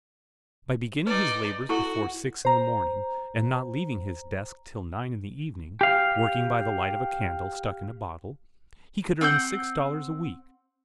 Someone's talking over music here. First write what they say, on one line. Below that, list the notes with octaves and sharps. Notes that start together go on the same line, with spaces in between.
By beginning his labors before six in the morning, and not leaving his desk till nine in the evening, working by the light of a candle stuck in a bottle, he could earn six dollars a week.
D#4 B4 D5
E4 F#4 A4 C#6
C5 A#5
G4 F5
C4 F#5 D6 G6